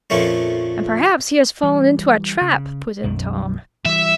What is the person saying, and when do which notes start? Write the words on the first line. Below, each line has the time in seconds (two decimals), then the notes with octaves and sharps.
"And perhaps he has fallen into a trap," put In Tom.
0.10 F2 A#2 F3 A3 A#3 C#4
1.63 E3 G3
2.41 C#3
3.04 B1 F#2 D#3
3.86 E3 G3 E5